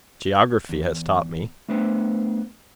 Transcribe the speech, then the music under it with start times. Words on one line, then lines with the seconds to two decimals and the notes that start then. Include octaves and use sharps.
"Geography has taught me."
0.69 E2
1.69 A3 B3 D4 B4 C5